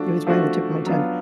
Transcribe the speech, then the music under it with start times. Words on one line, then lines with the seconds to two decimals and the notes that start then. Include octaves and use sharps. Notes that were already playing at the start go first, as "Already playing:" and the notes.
it was right on the tip of my tongue.
Already playing: F3 A3 D4 F#4
0.27 F3 A3 D4 F#4
0.86 F#3 B3 D4 F4